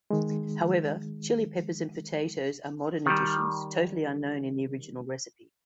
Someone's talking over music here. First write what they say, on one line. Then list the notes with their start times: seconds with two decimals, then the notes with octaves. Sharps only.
However, chili peppers and potatoes are modern additions, totally unknown in the original recipe.
0.10 D#3 G#3
3.06 D#3 G3